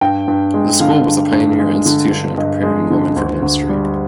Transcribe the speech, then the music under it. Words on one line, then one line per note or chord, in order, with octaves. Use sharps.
The school was a pioneer institution in preparing women for ministry.
G2 G5
G2
G#3
D3 F5
G2
G2
G#3
D3
G2
G2 D#5
G#3
D3
D2
D2
G3